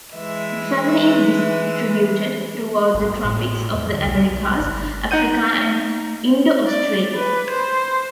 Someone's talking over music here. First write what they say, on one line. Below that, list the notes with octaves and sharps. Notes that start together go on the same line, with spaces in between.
The family is distributed throughout the tropics of the Americas, Africa and Indo-Australia.
E3 G#3 E5
G#1
A2
E2
D3
B1
B1
G1
D#4 F#5 G6 D#7
D5
B4
C5